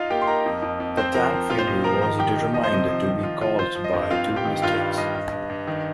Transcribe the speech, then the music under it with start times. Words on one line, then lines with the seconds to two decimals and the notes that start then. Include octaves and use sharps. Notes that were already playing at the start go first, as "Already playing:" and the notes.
The tank failure was determined to be caused by two mistakes.
Already playing: D#4 F4 F5
0.10 A#3 G4 G5
0.22 C6
0.27 D#4 A#4 A#5
0.45 F2
0.62 F2
0.80 F2
0.97 C4 C5 C6
1.14 F3 A#4 A#5
1.33 C4
1.49 A#2 F4 F5
1.58 C5
1.67 D#4 D#5
1.84 F3 A#4 A#5
2.02 D#3 A#4 A#5
2.19 D#3 G4 G5
2.37 D#4
2.53 F3 D#5
2.64 C5
2.72 C3 D#5
2.89 F3
3.06 D#3
3.23 F4
3.41 F4
3.59 F4 C5
3.75 F3
3.84 D#5
3.94 G2
4.11 C4 F4 F5
4.27 C4
4.36 G4 G5
4.45 D#3
4.62 G2 F4 F5
4.80 G3
4.97 G2 D#5
5.15 G2
5.33 G2
5.50 G2
5.67 D#3